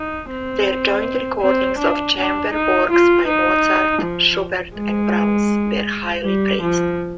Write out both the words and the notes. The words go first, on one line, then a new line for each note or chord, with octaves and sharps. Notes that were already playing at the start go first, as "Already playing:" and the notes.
Their joint recordings of chamber works by Mozart, Schubert and Brahms were highly praised.
Already playing: D#4
C4
C4
D4
D4
D#4
F4
D#4
F3
G#3
G3
F3